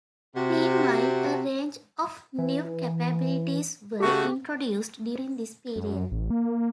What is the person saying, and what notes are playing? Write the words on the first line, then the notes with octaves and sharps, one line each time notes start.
Meanwhile, a range of new capabilities were introduced during this period.
C3 F#4
E3
C#3 A3 F#4 G4
F#2
A1
A#3